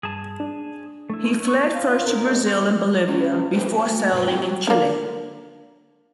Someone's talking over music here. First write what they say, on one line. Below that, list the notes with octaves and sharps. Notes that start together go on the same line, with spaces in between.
He fled first to Brazil and Bolivia, before settling in Chile.
G2 G#4 A5
D4
A3 E4
C#6
F4
F4
A#4
D#2
C6
C3
C#4 F4
B3 D4 G#4 A4 B4 C5
A3 F#4
G2 B2 B4 C5
A3 C4 E4 F#4 G5
F#4 C#5
D3 A#3